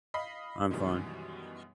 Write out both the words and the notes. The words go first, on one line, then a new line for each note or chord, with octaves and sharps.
I’m fine.
D#5 F5 B5 B6 C7
F#2 B2 D#3 E3 G3 G#3